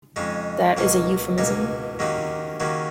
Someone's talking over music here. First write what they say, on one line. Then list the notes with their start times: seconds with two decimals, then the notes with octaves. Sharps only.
That is a euphemism.
0.16 F2 C#3 G#3 D#4
0.77 C#2 B2 A#3 D#4 G#4
1.38 C#2 B2 A#3 D#4 G#4
1.99 D#2 C#3 F#3 A#3 D#4
2.60 D#2 C#3 F#3 A#3 D#4